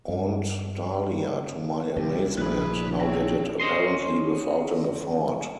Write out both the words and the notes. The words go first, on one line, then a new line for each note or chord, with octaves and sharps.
Aunt Dahlia, to my amazement, now did it apparently without an effort.
G2
C2 F2 F3 D4 E4 G4
A#1 G#4 B4 B5
C4 C#5
C#4 C5 D#5 C6